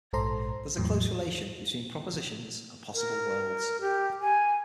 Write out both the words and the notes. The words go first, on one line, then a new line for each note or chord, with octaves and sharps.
There is a close relation between propositions and possible worlds.
A#1 G#2 A4 C5 A#5 C6
E2 A2 E3 F#3
A#4
G4
G#5